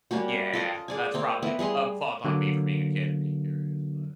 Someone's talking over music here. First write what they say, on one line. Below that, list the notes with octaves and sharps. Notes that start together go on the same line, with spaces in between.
Yeah. That's probably a fault on me for being a kid and being curious. But,
G3 A#3 C#4 F#4
F4 A4 D#5
G#4 D5 G#5
A#3 C4 G5
B3 E4
G3 G#4 D#5 C6
D3 F#3 A#3